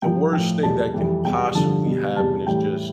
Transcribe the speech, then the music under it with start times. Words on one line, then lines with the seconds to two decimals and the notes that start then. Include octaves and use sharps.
the worst thing that can possibly happen is just,
0.02 G2 F3 G5
0.33 A2 F3 G5
0.63 E2 B2 G3 A5
0.94 F2 E3 G3
1.25 E2 C3 G3 G5
1.55 G2 D3 F3 A5
1.86 B2 G3
2.16 E2 C3 G3 A5
2.47 A2 E3 G3 G5